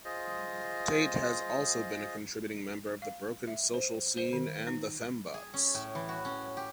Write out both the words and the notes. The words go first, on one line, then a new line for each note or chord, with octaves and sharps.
Tait has also been a contributing member of Broken Social Scene and The FemBots.
F4 G#4 C5 D#5
F5
E5
C5
C5
D#3
D#4
G#4
C#4
A2
E3
F#4
C#4
G4